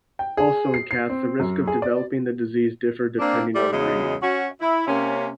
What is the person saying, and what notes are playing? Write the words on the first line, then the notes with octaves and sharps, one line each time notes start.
Also in cats, the risk of developing the disease differ depending on breed.
G5
G#4
C7
C7
C4
F#2
G#4
D5
A#3 C4 D4
G3 A3
E2 C#3 G#3 F#4 D#5
C#4 F#4
E4
C3 A#3 C4 C#4